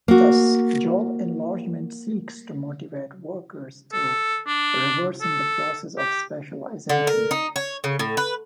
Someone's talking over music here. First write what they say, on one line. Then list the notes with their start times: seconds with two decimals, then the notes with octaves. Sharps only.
Thus, job enlargement seeks to motivate workers through reversing the process of specialisation.
0.08 A#3 F#4
3.93 A4
4.47 D4
5.21 A4
5.98 G4
6.89 D3
7.07 A#4
7.31 D#4
7.56 C#5
7.84 C#3
7.99 A2
8.17 B4